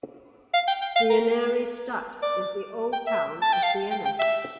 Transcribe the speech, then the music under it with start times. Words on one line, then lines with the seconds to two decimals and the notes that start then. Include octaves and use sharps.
The Innere Stadt is the Old Town of Vienna.
0.54 F5
0.68 G5
0.82 G5
0.96 F5
1.10 A#4
2.23 D5
2.93 G5
3.07 E5
3.42 A5
3.53 G5
3.63 F5
3.91 G5
4.05 G5
4.19 E5